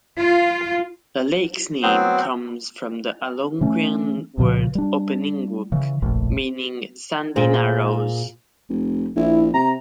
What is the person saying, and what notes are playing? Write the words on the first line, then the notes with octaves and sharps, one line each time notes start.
The lake's name comes from the Algonquian word "opeauwingauk" meaning "sandy narrows".
F4
F#3 B3 C4 C5
E3 A3 C#4
C2 A#2 C#3 F3
G3 D4
C#3 E3
F1 A#1 A2
A#2 G#4 C5
F1
A#1 E4
C3 A#5